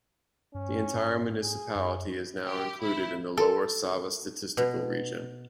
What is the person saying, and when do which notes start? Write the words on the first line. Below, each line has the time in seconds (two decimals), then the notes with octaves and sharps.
The entire municipality is now included in the Lower Sava Statistical Region.
0.55 G2 C#4
0.95 G#2
1.43 G#4
1.75 F#2
2.47 G4
2.83 E4
3.37 A4
4.57 B2